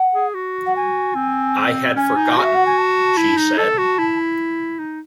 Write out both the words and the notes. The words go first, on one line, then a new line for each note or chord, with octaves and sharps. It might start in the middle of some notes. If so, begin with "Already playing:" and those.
"I had forgotten," she said.
Already playing: F#5
G#4
F#4
F#5
G#5
C4
C#4 G#5
D#4
D#5
F#4
E5
F#5
G#5
A5
E4
D#4
A4 A5
F#4
E4
D#4